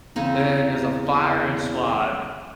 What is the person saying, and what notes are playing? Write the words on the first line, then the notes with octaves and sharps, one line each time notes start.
and there's a firing squad
E2 C#3 C4 D#4